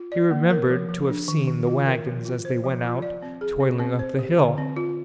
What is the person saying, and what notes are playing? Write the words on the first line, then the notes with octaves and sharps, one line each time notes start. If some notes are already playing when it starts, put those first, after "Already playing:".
He remembered to have seen the waggons, as they went out, toiling up the hill.
Already playing: F4
D5
A#3
A#4
F3
F3
D4
D#3
D#3
F4
A#4
F3
F4
C5
F3
F4
D5
C4
G#4
C4
C4
C5
G4
D3
C4
F4